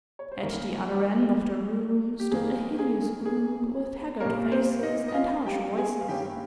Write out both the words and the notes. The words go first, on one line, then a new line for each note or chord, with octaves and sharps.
At the other end of the room stood a hideous group with haggard faces and harsh voices.
C#5
C5
F2 D#3 A#3 C#4 A#4
G4
F2 D#3 A#3 G#4
G#4
G#4
A#2 G3 A#3 C#4 A#4
C4 C5
D#4 D#5
D#5
F4 F5
G4 G5
G#4 G#5
F5
G2 D#3 A#3 C#4 G4 G5